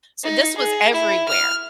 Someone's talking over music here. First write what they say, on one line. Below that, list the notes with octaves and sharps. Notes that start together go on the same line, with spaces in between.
so this was everywhere.
D#4
G#4
E4
F6